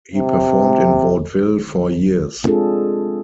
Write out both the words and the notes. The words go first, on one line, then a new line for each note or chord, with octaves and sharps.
He performed in vaudeville for years.
C3
G#3 C4 D4 F4 G#4 A4